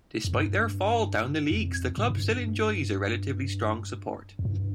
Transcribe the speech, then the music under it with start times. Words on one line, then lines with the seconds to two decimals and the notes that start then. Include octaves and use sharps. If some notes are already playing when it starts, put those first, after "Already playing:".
Despite their fall down the leagues the club still enjoys a relatively strong support.
0.25 F2
0.33 G2
1.51 F2
1.98 G#2
2.10 G2
4.39 F2
4.45 G2